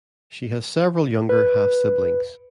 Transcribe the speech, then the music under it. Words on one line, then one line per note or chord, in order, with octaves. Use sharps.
She has several younger half-siblings.
B4